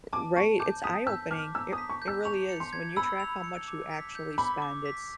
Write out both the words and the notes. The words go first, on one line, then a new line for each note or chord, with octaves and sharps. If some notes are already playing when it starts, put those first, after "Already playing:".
R right, it's eye opening, it it really is, when you track how much you actually spend, it's
A5 D6
A5 C#6
D6 G6
D#6 B6
E6 G6
D6 F6
A#5 E6
D#6
B6
C#6
G6
E6
C#6 F7
C#7
C6
G#6
B5 E6
F7
C#7
D6
B6
G6
B5 D6
D6
B6